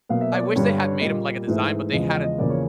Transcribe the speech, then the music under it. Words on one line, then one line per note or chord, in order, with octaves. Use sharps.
I wish they had made 'em like a design, but they had a
B2 F#3 A#3 F5
E5
D5
C#5
G2 D3 G3 C#5
C#5
A#2 G3 A#3 D#5
G#2 E3 A3
E2 C#3 F3 G#3 D#5
D#5
D#5
E2 C#3 F3 A#3 D5
C#5